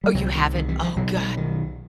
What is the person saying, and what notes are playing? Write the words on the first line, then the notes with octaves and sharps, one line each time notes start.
Oh, you haven't? Oh, god,
G3
C2 C3 F#3
D#3
D#3
E3
F3
B1 B2 F#3
G3
D#3